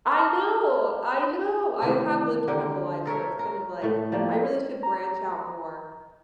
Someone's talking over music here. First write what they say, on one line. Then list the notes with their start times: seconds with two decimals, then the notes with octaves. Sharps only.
I know, I know. I have lived here my whole life, so it's kind of like, I really should branch out more
0.11 A5 A#5 F6
1.82 C3 D#3 E3 A3
2.48 D3 G4 A#4 G5
3.06 A4 A#4 C#5 E5
3.39 A#4
3.82 A2 A3
4.12 F3 G3 A#3
4.83 A#5